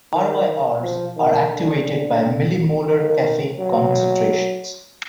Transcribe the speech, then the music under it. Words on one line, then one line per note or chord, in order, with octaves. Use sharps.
RyRs are activated by millimolar caffeine concentrations.
D#3
F3
D#3
D3
D#3
F#3